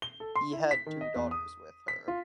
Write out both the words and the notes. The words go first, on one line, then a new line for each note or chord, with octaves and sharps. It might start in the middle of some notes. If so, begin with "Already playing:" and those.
He had two daughters with her.
G7
A4
C6
E4
B6
D#3
D#5
E2
D#6
B6
F4